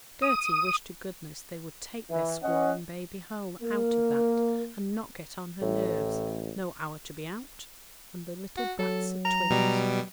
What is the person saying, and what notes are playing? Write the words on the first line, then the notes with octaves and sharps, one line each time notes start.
Gerty wished to goodness they would take their squalling baby home out of that and not get on her nerves, no hour to be out, and the little brats of twins.
D#6
E3
C#4 D#5 F#5
A#3 A#4
A1 A2
F#4
F#3 A4
A#5
B2 G3